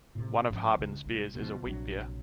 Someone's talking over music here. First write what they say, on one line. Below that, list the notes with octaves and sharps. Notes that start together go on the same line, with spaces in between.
One of Harbin's beers is a wheat beer.
A2 C3
G#2 F3 C#4
C#2
C2
C#2 B2 D3 F3
A#1 C3 F#3 D4